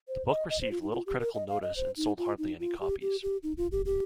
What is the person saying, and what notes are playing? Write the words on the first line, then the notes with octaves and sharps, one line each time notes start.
The book received little critical notice and sold hardly any copies.
C5
D#5
D#5
C5
F4
D#4
F4
G4
A#4
D#5
F5
D#5
C5
D#4
F4
D#4
F4
G4
G4
G4
D#4
F4
G4
G4